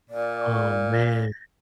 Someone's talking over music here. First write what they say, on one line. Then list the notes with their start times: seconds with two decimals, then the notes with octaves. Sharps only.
Oh, man.
0.10 A#2 D5